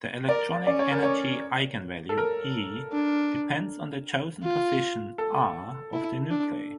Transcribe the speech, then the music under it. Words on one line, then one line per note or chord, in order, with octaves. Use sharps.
The electronic energy eigenvalue "E" depends on the chosen positions R of the nuclei.
A#4 D5
C#4 D5
C#5
A#4
C#5
A4
A#4
D4
F4
A4
E4
D4